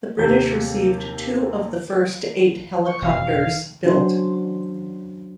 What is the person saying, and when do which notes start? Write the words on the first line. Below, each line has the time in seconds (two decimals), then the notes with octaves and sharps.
The British received two of the first eight helicopters built.
0.18 D#2 C3 A4 G6
2.86 C#6
3.02 E1 F2 B2 F5
3.84 F#3 C#4 D4 F#4 C5